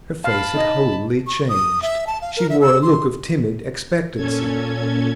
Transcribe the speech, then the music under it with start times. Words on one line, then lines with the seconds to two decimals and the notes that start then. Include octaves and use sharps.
Her face had wholly changed; she wore a look of timid expectancy.
0.24 F5 A5 B5
0.55 D#4 D#5
1.27 C#6
1.49 D#6
1.82 E5
2.07 A5
2.22 F5
2.37 A#4
2.50 E5
2.61 E6
2.82 C6
4.14 A#2 C#4 A4 G#6